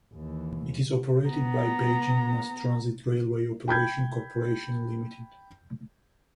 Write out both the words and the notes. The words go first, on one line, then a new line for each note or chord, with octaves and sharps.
It is operated by Beijing Mass Transit Railway Operation Corporation Limited.
D#2 E3
B3 A#5
G5 B5 G6 G#6